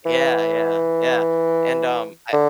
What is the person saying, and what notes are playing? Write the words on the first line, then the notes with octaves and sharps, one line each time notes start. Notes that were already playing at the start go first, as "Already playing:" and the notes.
Yeah, yeah, yeah, and, um, I
E3
D3